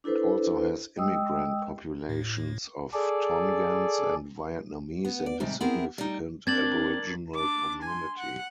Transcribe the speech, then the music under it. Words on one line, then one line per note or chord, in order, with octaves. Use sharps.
It also has immigrant populations of Tongans and Vietnamese and a significant Aboriginal community.
D4 E4 A4 B4 C5
G#3 D#5 G5 D#6 E6
A2
G#4 A4 D5
B3
D5
F2 G#2 C3 D#3 G3
B3 C4 E4 G#4 A#4
G3 D#4
C4 D4 A#4 G#6 A6 F#7
D4 D6
G#5 C6
F#5